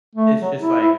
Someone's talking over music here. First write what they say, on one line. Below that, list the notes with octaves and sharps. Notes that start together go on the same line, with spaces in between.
it's just, like,
A3
F#3
E4
E4